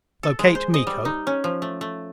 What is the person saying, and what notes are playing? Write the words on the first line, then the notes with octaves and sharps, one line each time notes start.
Locate Miko.
A4
G#3
C5
D#5
G3
D#4
C#4
F3
A3
A3